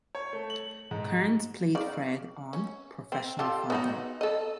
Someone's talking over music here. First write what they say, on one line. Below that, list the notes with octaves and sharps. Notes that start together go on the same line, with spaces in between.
Kearns played Fred on "Professional Father".
C#5
A3
F#7
G#2
C#3 D5
C#4
C4
F4 G4 A4
B3 D#4 F#4
A4 D#5